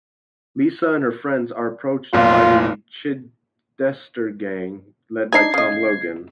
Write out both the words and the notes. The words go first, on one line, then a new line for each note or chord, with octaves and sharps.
Lisa and her friends are approached by the "Chidester Gang", led by Tom Logan.
F1 B1 A#2 F4
D4 D#4 G#4 G#6 C7
C#3 D#5